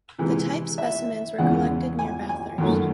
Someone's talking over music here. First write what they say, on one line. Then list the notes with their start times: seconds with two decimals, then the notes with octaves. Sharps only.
The type specimens were collected near Bathurst.
0.18 C3 E3 G#3
0.78 E5
1.38 E2 C#3 E3 G#3 F#5
1.99 G#5
2.29 G#5
2.58 F#2 D#3 F#3 A3